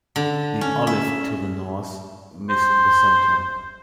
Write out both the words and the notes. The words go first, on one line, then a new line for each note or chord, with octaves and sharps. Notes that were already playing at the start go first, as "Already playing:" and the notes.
The" Olive" to the north missed the centre.
D3
C#4
E5
C5